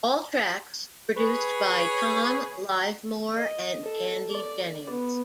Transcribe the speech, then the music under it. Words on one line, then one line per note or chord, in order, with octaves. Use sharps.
All tracks produced by Tom Livemore and Andy Jennings.
G#4 B4 C#5
D#5
A4
D5
B3